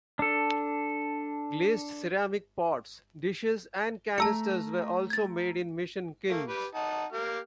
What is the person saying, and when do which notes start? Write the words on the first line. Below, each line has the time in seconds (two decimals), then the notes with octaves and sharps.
Glazed ceramic pots, dishes, and canisters were also made in mission kilns.
0.19 D4 A4
4.18 A3 A5 A#5 E6 C#7
5.10 G#6 A6
6.30 A3 A#3
6.48 G4 B4
6.75 D#4 F#5 A5
7.12 A#3 G4 F6